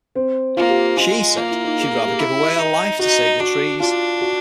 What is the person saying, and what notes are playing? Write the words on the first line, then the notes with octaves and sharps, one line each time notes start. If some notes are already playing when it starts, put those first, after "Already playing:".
She said that she would rather give away her life to save the trees.
C4
A#3 F4
G4
G#3 F4
A#3 F4
E4
D#4
G#4
G#4
G4
E4
D#4
D#4 F#4
D4 F#4
D4 F4
F#4